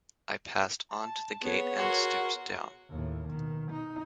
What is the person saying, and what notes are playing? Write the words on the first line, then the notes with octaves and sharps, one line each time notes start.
I passed on to the gate and stooped down.
A5
B3 G#4 C#5 F#5
F#4 A#4 C6
D#2 A2
B2 D#3
D#4